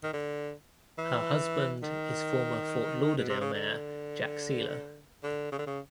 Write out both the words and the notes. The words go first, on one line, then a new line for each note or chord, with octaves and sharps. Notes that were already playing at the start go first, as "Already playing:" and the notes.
Her husband is former Fort Lauderdale mayor Jack Seiler.
D#3
D3
E3
D#3
B2
C3
C#3
D3
D3
C#3
D3
C#3